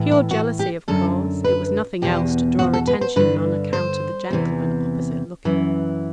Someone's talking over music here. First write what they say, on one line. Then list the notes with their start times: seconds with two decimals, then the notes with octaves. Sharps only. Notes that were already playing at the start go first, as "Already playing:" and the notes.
Pure jealousy of course it was nothing else to draw attention on account of the gentleman opposite looking.
Already playing: A2 E3
0.11 E4
0.31 F#4
0.59 G4
0.88 F#2 D3 A4
1.44 B4
2.02 E2 B2 G4
2.59 F#4
2.73 A4
2.88 B4
3.01 C5
3.16 G2 D3 B4
3.73 C5
4.30 E2 C3 E3
5.45 F#2 E3